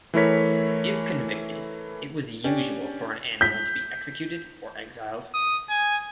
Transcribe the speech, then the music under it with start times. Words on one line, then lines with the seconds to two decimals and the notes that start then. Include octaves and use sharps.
If convicted, it was usual for an animal to be executed, or exiled.
0.14 E3 A3 E4 A#4 C#5 B6
2.44 C#4 D4 G4
3.41 G6 B6
5.34 D#6
5.70 G#5